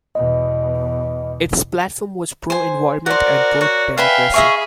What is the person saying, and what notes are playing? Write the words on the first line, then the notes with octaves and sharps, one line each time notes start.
Its platform was pro-environment and pro-democracy.
E2 B2 D#5
C5 G#5
F#4 A#4 C5 D5 F#5
F#4 C#5
B4 E5 F5 G5 G#5 B5
G#4 D#5 E5 B5 C#6